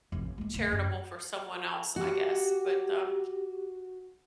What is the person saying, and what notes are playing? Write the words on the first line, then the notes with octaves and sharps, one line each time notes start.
charitable for someone else, I guess, but, um
A1 F2
G#3 A#3
D1 D#4
F#2
F#4 G4